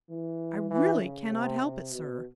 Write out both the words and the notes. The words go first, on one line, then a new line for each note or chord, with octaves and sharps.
I really cannot help it, sir.
E3
E3
C#3
C3
C3
B2